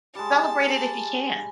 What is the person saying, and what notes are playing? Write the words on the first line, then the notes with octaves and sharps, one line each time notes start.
celebrate it if you can.
G3 G#3 A5